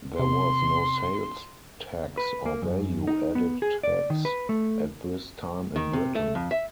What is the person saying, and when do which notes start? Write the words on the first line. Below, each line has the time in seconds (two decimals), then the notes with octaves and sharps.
There was no sales tax or value added tax at this time in Britain.
0.19 C3 C6
2.18 B4
2.46 A#3
2.62 F#2
3.07 D#4
3.35 B3
3.62 G#4
3.83 D5
4.10 D#3
4.25 B4
4.49 A3
5.76 D#3
5.93 C3
6.15 A3
6.35 F2
6.51 E5